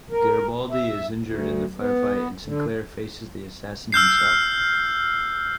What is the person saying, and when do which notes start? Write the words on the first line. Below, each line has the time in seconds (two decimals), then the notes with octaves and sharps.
Garibaldi is injured in the firefight and Sinclair faces the assassin himself.
0.11 A#4
0.71 E5
1.22 D2
1.78 B3
2.45 D3
3.92 E6 F6 G6 C7